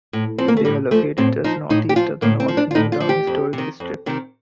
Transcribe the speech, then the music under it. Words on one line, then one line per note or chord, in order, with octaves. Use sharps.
They are located just northeast of the North New Town Historic District.
A2
F3 C4
A#3
A3
A2 G3
F3 A3
A2 C4
F3 D#4
A2 D#4
G4
F3 F4
A2 A#3
C4
F3
D4
F4
A2 D#4
F4
F3
G4
F2
C3
D#3
F2
C3 D#3